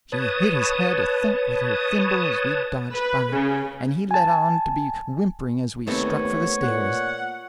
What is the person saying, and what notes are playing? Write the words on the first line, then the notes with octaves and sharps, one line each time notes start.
She hit his head a thump with her thimble as we dodged by, and he let on to be whimpering as we struck for the stairs.
B4 C#5 A5 D#6
B4
C#3
G#5 A5
D#2 A3 B3 C4 C#5
A#2 F#5